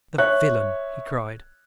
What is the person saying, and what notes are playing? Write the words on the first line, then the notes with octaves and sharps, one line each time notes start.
"The villain!" he cried.
C#5 E5 F#6